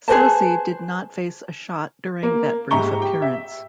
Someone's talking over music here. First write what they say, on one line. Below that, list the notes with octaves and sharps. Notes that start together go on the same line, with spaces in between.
Soucy did not face a shot during that brief appearance.
G#4 B4 C5 A5
A#3
G#2 G4 E5 A#5 C#6 G7
G4 G5
E5